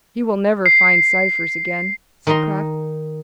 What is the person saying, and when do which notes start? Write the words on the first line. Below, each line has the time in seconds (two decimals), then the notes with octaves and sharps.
"He will never find Cypher's again," said Kraft.
0.66 C7
2.27 D#3 D#4 D#5 A#5 C6